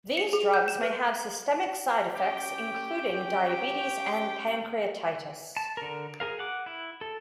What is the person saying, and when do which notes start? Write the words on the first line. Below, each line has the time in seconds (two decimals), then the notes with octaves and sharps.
These drugs may have systemic side effects including diabetes and pancreatitis.
0.17 C#7
0.33 G#4
0.54 G6
0.68 E7
0.83 B4
2.15 C#4 G4 G5
5.57 A5
5.77 D3 A#4
6.20 G#4 A#4 F5
6.39 F#5 D6
6.66 E4
7.01 A4